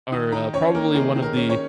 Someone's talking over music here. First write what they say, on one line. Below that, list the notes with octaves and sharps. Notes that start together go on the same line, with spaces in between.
are, uh, probably one of the
D#3 D#6
D#3 A#5
C#4 C#5
A#3 A#4
D#3 G#4
D#3
A#4
C#4
C#5